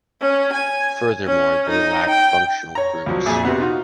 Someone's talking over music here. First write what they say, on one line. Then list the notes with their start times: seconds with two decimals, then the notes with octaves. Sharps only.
Furthermore, they lack functional groups.
0.22 C#4
0.53 G#5
1.27 C#4
1.70 D#4
2.10 G5
2.75 C#5 A#5
3.06 C2 F3 F#3
3.26 F2 A#2 G#4 E5 D6
3.43 C3 B3 F#4
3.60 D#4 F4 F#4